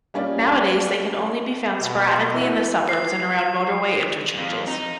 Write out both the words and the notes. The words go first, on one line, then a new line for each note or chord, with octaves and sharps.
Nowadays they can only be found sporadically in the suburbs and around motorway interchanges.
G3 A#3 C#4 F4 D5 D#5
B2
E3
C7
F2
D#4